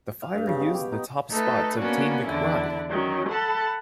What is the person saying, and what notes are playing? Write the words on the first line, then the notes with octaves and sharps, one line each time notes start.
The Fire used the top spot to obtain McBride.
F5
G2
C#3
B2
G4
D#4
A3 D#4 A4 B4
A#3 B3 C#4 D4 F#4
E2 D3 D4 E4
D#3 F#3 C#4
A4 F#5 A5 B5